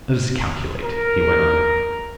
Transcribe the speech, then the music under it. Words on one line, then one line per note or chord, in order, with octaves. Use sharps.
"Let us calculate," he went on.
A#4